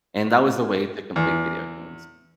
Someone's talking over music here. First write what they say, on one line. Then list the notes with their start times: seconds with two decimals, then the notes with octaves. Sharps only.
and that was a way to complete video games,
1.16 E2